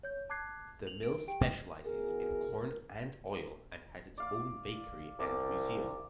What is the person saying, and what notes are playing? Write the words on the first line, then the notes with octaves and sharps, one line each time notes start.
The mill specializes in corn and oil and has its own bakery and museum.
C#5 G6
A5 D6 F#6 G#6 C7
F7 F#7
A#4 D7
G4 G5 D7
E2 F#4 G#4 A#4
D5 F5 D6
C2 D5 D6